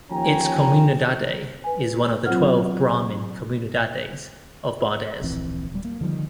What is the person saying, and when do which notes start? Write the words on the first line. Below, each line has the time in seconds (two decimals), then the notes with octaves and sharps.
Its comunidade is one of the twelve Brahmin comunidades of Bardez.
0.11 D#2 F3 C#4 G5 G#5 A#5
1.64 B4 G#5
2.25 F#3 C4 F4 C5 F#5 F6
5.21 D1 A#1 E3 C4
5.72 D1 G3
5.85 A#3
6.01 D3 D#3 F3 G3